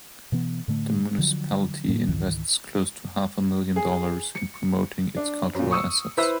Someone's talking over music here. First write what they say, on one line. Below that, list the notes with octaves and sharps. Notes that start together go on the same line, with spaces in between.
The municipality invests close to half a million dollars in promoting its cultural assets.
B2 E3 B3
A2 D3 A3
D3 F3 F#3
A2 A#3
C#2 G#2 D#3 E3
G#4
C#7
D4
F#2 A#2
C#6 D#6 E6 C#7
E4 B4 C5 E5 B5 E6